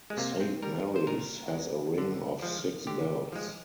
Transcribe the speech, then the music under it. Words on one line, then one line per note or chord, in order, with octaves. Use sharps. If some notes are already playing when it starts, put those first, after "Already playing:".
Saint Mary's has a ring of six bells.
G#3
C3 A#3
C4
G3 A#4
C5
A#2 A#4
G#3
D3
F3 G#3
D3 G4
F3 G#3